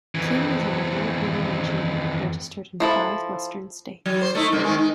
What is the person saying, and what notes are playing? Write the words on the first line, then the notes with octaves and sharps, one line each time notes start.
Kim is an award-winning engineer, registered in five western states.
F2 E3
F3 E4 A4
F#3
C5
A3 D#4 E4
G2 C3 A#3
G#2 D#3 G#3
D#4